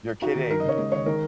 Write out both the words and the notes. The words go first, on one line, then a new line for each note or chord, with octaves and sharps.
You're kidding.
D#4 F#4
D#3
D#4 A#4
D#5
C#3
C#5
G#3 D#5
D#3 C#5
D#3 A#4